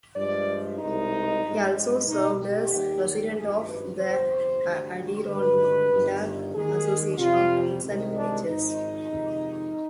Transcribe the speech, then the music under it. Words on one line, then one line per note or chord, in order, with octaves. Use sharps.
He also served as president of the Adirondack Association of Towns and Villages.
G2 F3 G#3 D5
C2 B2 G#3 D#4
G2 F3 G#3
C2 B2 G#3 D#4
G4
D#2 D#3 G3
G#1 G2 F3 G#4
B4
G1 F2 C3 C5
D2 D3 G3
G#1 G2 D3 G#3 B4
G1 G2 D#3 G3
D#2 D#3 G#3 G#4
F2 C3 G3 F4
C2 C3 D#3 G#3
D4
G#1 G#2 F3 G#3 D#4
F2 C3 D#3 G#3